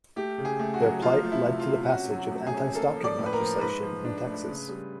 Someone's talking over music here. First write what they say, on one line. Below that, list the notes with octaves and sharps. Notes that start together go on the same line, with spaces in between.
Their plight led to the passage of anti-stalking legislation in Texas.
A3 G4
C#3
G#4
A3
F#4
F#3
F3 F4
A3
E4
C3
F4
C3
C#4 F#4
F#3
F#4
A3
G#4
C#4
A#3 A4
F3
D5
A2
B4
A#4
F3
G#2 B4
F3
D4
A3
C#3
G3